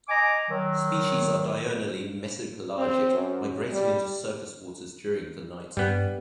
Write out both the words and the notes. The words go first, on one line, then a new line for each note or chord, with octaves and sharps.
Species are diurnally mesopelagic, migrating into surface waters during the night.
D#5 G#5 A#5 D6
D#3 F#3
C4
F#2
G3
G2 G3 B3